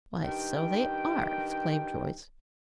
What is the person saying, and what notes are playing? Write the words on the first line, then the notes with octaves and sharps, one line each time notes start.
"Why, so they are!" exclaimed Joyce.
G2 D#3 G5